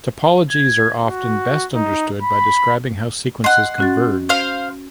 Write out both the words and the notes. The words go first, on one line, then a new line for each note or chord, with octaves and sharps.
Topologies are often best understood by describing how sequences converge.
G#6
F#4
D#4
B5
D#5 F#5 C6
C#4 F#4 A6
C5 F5